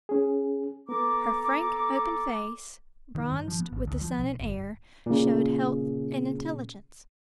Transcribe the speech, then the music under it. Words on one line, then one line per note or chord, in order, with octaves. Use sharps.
Her frank open face, bronzed with the sun and air, showed health and intelligence.
C#4 G#4
B3 A4 A#5 D6
D#3
G2
F3
B3
G#1
D2
F3
B1
G1
A#2 C#3